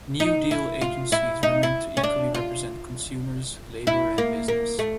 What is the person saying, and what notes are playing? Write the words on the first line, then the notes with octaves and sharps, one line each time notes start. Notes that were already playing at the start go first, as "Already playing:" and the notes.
New Deal agencies were meant to equally represent consumers, labor and business.
D#4
E4
F4
E4
D#4
E4
C#4
D4
F4
E4
A#3
A#3
A3